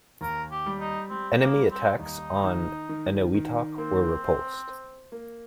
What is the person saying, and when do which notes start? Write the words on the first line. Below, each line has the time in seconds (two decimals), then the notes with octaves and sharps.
Enemy attacks on Eniwetok were repulsed.
0.21 D#2 A#4
0.51 G4
0.66 G3
0.80 D#4
1.10 G3 C4
1.40 A#3
1.55 G3
1.71 C4
1.99 D#2 D#4
2.44 D#3
2.89 D#3
3.34 D#3
3.78 A#3 C4
4.23 C5
4.68 C5
5.12 A#3